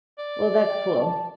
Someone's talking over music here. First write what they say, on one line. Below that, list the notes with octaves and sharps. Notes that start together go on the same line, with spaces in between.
Well, that's cool.
D5
G5
A5